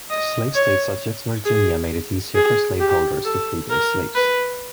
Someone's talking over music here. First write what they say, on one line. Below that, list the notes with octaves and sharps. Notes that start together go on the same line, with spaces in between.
Slave states such as Virginia made it easier for slaveholders to free their slaves.
D#5
C#5
G#4
G#4
G4
A4
A#4
B4